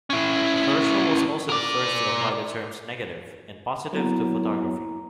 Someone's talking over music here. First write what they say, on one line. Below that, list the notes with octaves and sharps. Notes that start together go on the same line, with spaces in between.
Herschel was also the first to apply the terms "negative" and "positive" to photography.
C#4 E4
A#4 D5
F#3 A#3 B3 E4 A#5